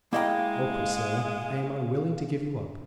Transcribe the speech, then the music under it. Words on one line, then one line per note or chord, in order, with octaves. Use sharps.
Oh, Priscilla, I am unwilling to give you up!
G#3 A#3 E4 D#5 F5 G5 A#5